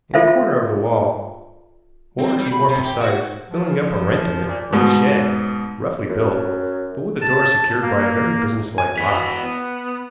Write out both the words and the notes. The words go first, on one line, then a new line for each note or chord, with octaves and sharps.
In a corner of the wall, or, to be more precise, filling up a rent in it, was a shed, roughly built, but with a door secured by a very business-like lock.
F4 A4 A#4 C5 E5 F5
C4
G3
B5
C3
G4
F#4
F3
A#2
G#2 B2
F#2
A5
A#3
G#5
E3 B3 F#4 B6
B3